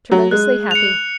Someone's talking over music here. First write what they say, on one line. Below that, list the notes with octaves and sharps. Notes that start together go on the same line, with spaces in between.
'Tremendously happy.
F#3
G#3 F#6
C#7 F7